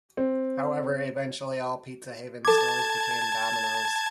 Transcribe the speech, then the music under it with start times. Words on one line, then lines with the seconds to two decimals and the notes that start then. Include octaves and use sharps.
However, eventually all Pizza Haven stores became Domino's.
0.17 C4
2.45 A4 A5 D6 G#6